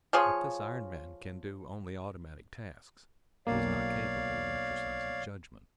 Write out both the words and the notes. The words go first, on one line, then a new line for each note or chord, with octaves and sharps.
But this iron man can do only automatic tasks; it is not capable of exercising judgment.
F3 F4 G#4 C#5
B1 A#3 C#5 D5 F5